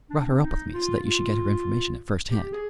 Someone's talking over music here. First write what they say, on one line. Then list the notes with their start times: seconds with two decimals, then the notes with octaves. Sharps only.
I brought her up with me, so that you should get her information at first hand.
0.10 D4
0.26 C4
0.42 D#4
0.73 F4
1.05 F4
2.31 G4
2.52 G#4